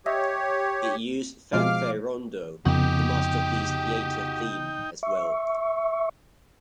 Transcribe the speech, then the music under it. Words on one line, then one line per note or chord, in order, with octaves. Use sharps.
It used "Fanfare-Rondeau", the Masterpiece Theatre theme, as well.
G4 C#5 D#5 E5
B2 F3 G#3 F5 D6 F6
F2 C#3 B3 D#4 F#4 G4 G5 G6
E5 C#6